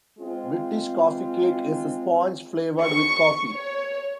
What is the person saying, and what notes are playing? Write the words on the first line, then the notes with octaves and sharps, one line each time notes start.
British Coffee cake is a sponge flavoured with coffee.
G#3 C4 F4
C#6
C#5